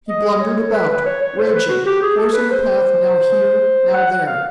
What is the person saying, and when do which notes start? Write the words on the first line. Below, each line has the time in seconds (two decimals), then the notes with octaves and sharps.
He blundered about, raging, forcing a path now here, now there.
0.09 D#5
0.40 C#5
0.72 B4
0.89 B4
1.06 C#5
1.22 C#5
1.38 C5
1.54 B4
1.69 F#4
1.86 G4
2.02 G#4
2.17 A4
2.33 B4
2.50 C5
3.94 F#5
4.11 F#5
4.26 F5